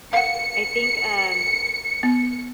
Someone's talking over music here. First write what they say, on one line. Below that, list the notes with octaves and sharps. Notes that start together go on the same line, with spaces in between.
I think, um,
F5 F#5 C#7
B3